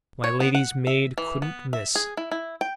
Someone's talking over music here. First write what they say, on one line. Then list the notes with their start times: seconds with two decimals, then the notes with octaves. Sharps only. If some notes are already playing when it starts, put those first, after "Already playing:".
My lady's maid couldn't miss.
0.24 C#5
0.40 B3
0.55 F#5
0.87 E5
1.18 E3
1.42 B3
1.73 E5
1.95 G#4
2.17 E4
2.32 E4
2.61 G5